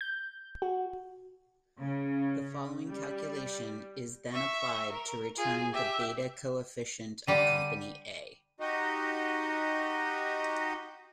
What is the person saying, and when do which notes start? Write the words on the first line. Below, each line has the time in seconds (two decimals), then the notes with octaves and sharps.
The following calculation is then applied to return the beta coefficient of company A.
0.01 G6
0.62 F#4
1.79 C#3
2.88 G3
4.32 E5 C#6
4.92 A#4
5.37 F4 G#4
5.73 G4 E5
7.27 D3 G3 G4 D#7
8.60 D#4 F#4 G4 D#5